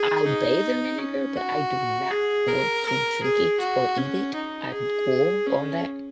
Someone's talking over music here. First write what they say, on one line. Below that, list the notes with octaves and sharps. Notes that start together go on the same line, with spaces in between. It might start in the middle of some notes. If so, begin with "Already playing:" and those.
I bathe in vinegar, but, I do not want to drink it or eat it. I'm cool on that,
Already playing: G#4
D#4
C#4
F#4
G#4
A#4
A#4
G#4
F#4
C#4
D#4
G#4
C#4